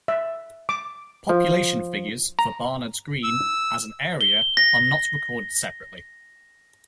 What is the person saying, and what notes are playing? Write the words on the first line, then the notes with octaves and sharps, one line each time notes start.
Population figures for Barnards Green as an area are not recorded separately.
E5
D6
F3
A#5
E6
G7
A#6